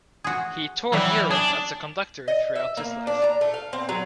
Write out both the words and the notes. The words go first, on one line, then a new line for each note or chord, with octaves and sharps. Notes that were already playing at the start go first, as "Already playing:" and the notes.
He toured Europe as a conductor throughout his life.
F#4 G#4
E3 F#3 G3
D4 G#4
D#5
E5
A#3
D4
A#5
A3
F5
C4
F#3